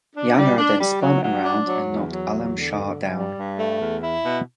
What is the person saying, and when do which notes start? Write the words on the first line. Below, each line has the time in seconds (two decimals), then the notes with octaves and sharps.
Yanuar then spun around and knocked Alam Shah down.
0.14 D4
0.37 G3
0.58 D4
0.79 G3
1.01 F#3
1.23 F#3
1.44 D4
1.65 F#3
1.86 E2
2.08 F#3
2.30 E2
2.51 D3
2.72 G2
2.93 G2
3.15 G3
3.36 G2
3.57 A3
3.80 E2
4.00 E4
4.23 B2